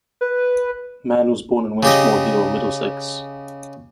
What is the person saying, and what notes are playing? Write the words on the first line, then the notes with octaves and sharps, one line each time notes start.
Mann was born in Winchmore Hill, Middlesex.
B4
C#3 G4 D#5